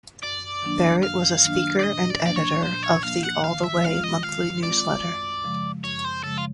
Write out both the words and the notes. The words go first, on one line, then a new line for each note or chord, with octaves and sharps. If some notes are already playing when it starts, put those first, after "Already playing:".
Barrett was a speaker and editor of the "All The Way" monthly newsletter.
F#2 D5
D#3 F#3 A#3 D4
F#2 F5
D#3 F#3 A#3 D4
D5
A#2 D#5
D5
F3 A#3 D4 D5
C#5
A#2 C5
C#5
F3 A#3 D4 F5
F#5
D#3 F5
E5
G#3 C4 F4 F5
D#5
D#3 F5
G#3 C4 F4 D5
F#2
C#3 F3 G#3
F#2 C#5
C5
C#3 F3 G#3 A4
F4